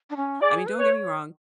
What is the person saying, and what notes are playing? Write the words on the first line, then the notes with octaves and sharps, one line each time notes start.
I mean, don't get me wrong;
D4
C#4
G#4 D5
B4
C#5
C#5